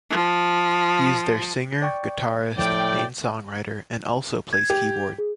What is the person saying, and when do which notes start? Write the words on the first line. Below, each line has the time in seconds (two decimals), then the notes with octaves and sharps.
He is their singer, guitarist, main songwriter and also plays keyboard.
0.10 F3
1.82 D5 G5 C#6
2.58 A2 F3 D5 G5
4.53 G#6
4.70 G4
5.18 G#4